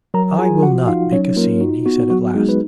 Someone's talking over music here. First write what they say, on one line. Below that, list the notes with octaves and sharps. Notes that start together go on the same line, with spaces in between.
'I will not make a scene,' he said at last.
F#3 A#4 A#5
F4 G#4 G#5
F3 F#4 F#5
D#4 F4 F5
F#3 C#4 C#5
A#3 F4 A#4
D#4 F#4
B3 F#4
F#3 F#4
G#3 D#4 G#4
B4